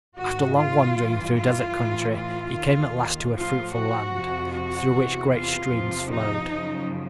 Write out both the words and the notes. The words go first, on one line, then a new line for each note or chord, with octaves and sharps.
After long wandering through desert country he came at last to a fruitful land, through which great streams flowed.
G#2 D#3 F#4
F4
G2 E3
F4
A2 E3
F4
D#2 D#3
A2 F3 F4
F#4
F2 C3 F3
F#4
E2 C3 E3
F4
E2 C3 F3
D#4
F#2 C#3 F3